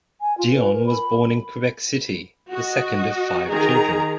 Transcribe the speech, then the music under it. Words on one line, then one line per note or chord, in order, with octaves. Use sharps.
Dion was born in Quebec City, the second of five children.
G#5
F4
B4
A#4
B5
F#4 D#5
D#3 G#4 A#5